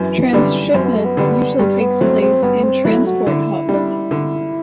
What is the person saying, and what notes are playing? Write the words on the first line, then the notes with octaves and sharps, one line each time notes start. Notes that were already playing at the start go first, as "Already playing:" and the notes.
Transshipment usually takes place in transport hubs.
Already playing: F#2 E3
D3 G3 D4
F#2 C4
B3
A3
B3
D3 G3 D4
G2 G3
B3
F#3 A3 C4
C4
G2 B3
C4
F#3 A3 E4
F#4
D3 E4
G3 D4
D3